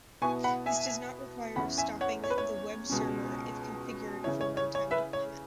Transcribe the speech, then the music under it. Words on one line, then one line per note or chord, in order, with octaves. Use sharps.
This does not require stopping the web server if configured for runtime deployment.
B2 B3 E4 G#5 C#6
F#5 B5
E5 G#5
E2 E3 C#4 E4 F#5 B5
E5 G#5
C#5 F#5
C#5
B4
C#5
C#2 B2 G#3 C#4
C#3 E3 C#4 E4 C#5
C#5
C#5
C#5
B4 E5
C#5